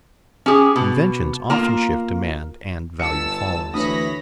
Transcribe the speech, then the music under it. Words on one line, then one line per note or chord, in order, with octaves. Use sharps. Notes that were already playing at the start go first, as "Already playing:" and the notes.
Inventions often shift demand, and value follows.
C#4 G4 G#4
B2
A#3 F4 A#4
G1 A5 E6 C#7
D2 E3 C#5 B5 D#6 A#6